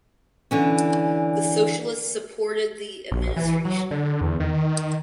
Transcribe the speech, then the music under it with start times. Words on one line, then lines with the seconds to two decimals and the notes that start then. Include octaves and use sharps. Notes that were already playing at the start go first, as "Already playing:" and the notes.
The Socialists supported the administration.
0.51 D3 E3 C#4
3.12 A#1
3.36 E3
3.65 F#3
3.91 D3
4.21 E2
4.40 D#3